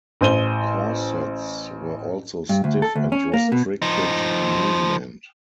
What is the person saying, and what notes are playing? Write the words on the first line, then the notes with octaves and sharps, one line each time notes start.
Corsets were also stiff and restricted movement.
A1 C5 D#7 G7
G2
D2
A4
D2
C#4
A#3
B2
F3 D#4